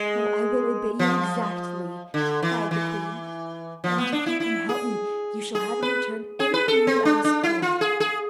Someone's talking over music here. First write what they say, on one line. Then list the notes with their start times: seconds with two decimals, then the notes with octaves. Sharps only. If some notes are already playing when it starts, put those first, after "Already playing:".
'Oh, I will obey you exactly,' cried the queen, 'and if you can help me you shall have in return anything you ask for.'
Already playing: G#3
0.99 F3
2.14 D3
2.43 E3
2.71 E3
3.84 F3
3.98 B3
4.12 D4
4.26 E4
4.40 E4
4.69 G#4
5.55 G#4
5.82 B4
6.40 G#4
6.54 B4
6.68 A4
6.87 C4
7.05 D4
7.24 D4
7.43 E4
7.62 F4
7.81 G#4
8.00 G#4